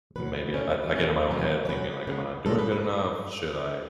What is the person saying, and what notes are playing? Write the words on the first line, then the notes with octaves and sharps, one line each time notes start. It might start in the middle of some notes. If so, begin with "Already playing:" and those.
maybe I I get in my own head thinking, like, "Am I not doing good enough? Should I
E2 B2 F#3 B4
B2 A3 C#4
B2 A3 C#4
B2 F#3 C#4
C#5
B2 F#3 C#4 B4
C#3 G#3 B3
C#3 G#3 B3 A4
B4
B4